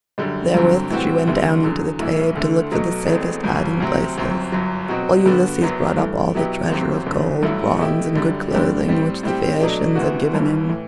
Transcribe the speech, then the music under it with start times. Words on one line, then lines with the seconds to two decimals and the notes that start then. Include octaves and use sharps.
Therewith she went down into the cave to look for the safest hiding places, while Ulysses brought up all the treasure of gold, bronze, and good clothing which the Phaeacians had given him.
0.18 F#2 D3 G3
0.54 G1 G2 D3 F#3 C4
0.90 A2 E3 G3 C4 F#4
1.27 D2 D3 G3 B3 E4
1.63 E2 D3 F#3
1.99 B1 A2 E3 B3 E4
2.35 D2 D3 A3 E4
2.72 B1 B2 F#3 A3
3.07 E1 E2 B2 A3 C4
3.43 G1 G2 F#3
3.80 D2 C3 F#3 C4
4.17 G1 F#2 F#3 C4
4.52 G1 F#2 F#3
4.89 B2 F#3 C4 F#4
5.26 G2 D3 G3 B3 F#4
5.61 F#1 F#2 F#3 B3
5.98 G2 E3 A3
6.34 B2 F#3 B3 E4 G4
6.69 G1 F#2 F#3 C4 G4
7.06 F#1 E2 D3 A3
7.43 A1 G2 F#3 A3 E4
7.78 B2 A3 E4 G4
8.15 F#2 D3 G3
8.51 G2 D3 A3 D4 G4
8.88 A2 G3 C4
9.23 A2 G3 C4 G4
9.60 B2 F#3 A3 D4
9.96 D2 C3 E3 B3 F#4
10.33 G1 G2 E3
10.69 A2 E3